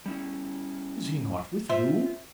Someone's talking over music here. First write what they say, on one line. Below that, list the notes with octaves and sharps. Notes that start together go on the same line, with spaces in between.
"Is he not with you?"
G3 C#4 E4
F4 C5 E5